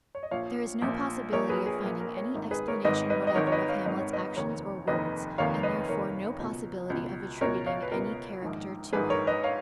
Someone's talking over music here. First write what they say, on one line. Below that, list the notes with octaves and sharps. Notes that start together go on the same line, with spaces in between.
There is no possibility of finding any explanation whatever of Hamlet's actions or words, and therefore no possibility of attributing any character to him.
C#5
D#5
A#1 A#2 F3 C#5 F5
A#1 A#2 F3
A#1 A#2 F3 A#4 C#5
G#4 B4
G#4
A#1 A#2 F3 A#4
A#4
A#4 C#5
G#1 G#2 D#3
G#4 B4
A#4 C#5
G#1 G#2 D#3 B4 D#5
B4 D#5
D#5
G#1 G#2 D#3 A#4 C#5
C#5
B4 D#5
C#5 F5
G#1 G#2 D#3 D#5
C#5
B4 D#5
F1 D#2 D#3 A#4 C#5
F1 D#2 D#3 B4 D#5
F1 D#2 D#3 C#5 F5
B4 D#5
F1 D#2 D#3 A#4 C#5
C#2 B2
C#2 B2
C#2 B2 A#4 C#5
C#5 F5
B4
C#2 B2 A#4
A#1 G#2 D#3
A#1 G#2 D#3 G#4 B4
A#4 C#5
B4 D#5
C#5 F5